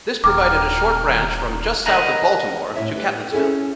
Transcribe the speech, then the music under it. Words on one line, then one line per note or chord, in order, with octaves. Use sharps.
This provided a short branch from just south of Baltimore to Catonsville.
D#1 G5 A#5 D6 F6
A#4 B4 D#5 F#5 G#5 A#5
A2 E4 C#5 E5
G4 B4
C#4 E4 G#4 A4